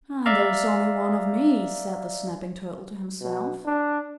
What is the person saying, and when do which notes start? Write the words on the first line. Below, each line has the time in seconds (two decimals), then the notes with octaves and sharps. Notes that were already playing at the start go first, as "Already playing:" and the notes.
"And there is only one of me," said the Snapping Turtle to himself.
0.26 D5 E5 F5 A#5
3.21 B2
3.66 D4